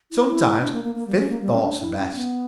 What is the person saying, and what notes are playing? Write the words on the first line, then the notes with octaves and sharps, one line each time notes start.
Sometimes fifth thoughts are best.
E4
E4
D4
A#3
A#3
A#3
G3
C#4
A#3
G3
C#4
D4
E4
C#4
B3